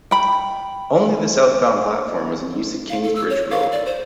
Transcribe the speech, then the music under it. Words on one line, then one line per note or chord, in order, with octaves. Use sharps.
Only the southbound platform was in use at Kingsbridge Road.
G5 B5
F5
A4
E6
C#5
F5
D5
C5